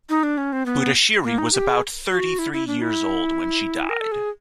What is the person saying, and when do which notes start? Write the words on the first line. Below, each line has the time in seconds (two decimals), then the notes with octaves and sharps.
Budashiri was about thirty-three years old when she died.
0.09 D#4
0.23 D4
0.38 C#4
0.53 C4
0.66 B3
1.24 A#3
1.38 D#4
1.53 G4
1.68 G#4
2.11 F#4
2.39 E4
2.53 E4
2.67 D4
2.82 E4
3.89 A#4
4.00 A4
4.12 G#4